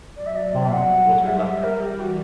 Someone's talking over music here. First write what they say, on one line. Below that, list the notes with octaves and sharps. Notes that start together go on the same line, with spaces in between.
Bonham was reluctant.
F#3 D5
E5
D5
E5
G3 F#5
F#5
G3 E5
F#5
E5
A#4
E3 G4
F#4